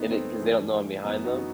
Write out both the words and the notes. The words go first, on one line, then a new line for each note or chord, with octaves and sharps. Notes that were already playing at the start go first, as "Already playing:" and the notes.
and it 'cause they don't know I'm behind them,
Already playing: E2 D#3 B3 D#4
A3 C4
G2 E3 A3
F#2 E3 B3
D#4 F#4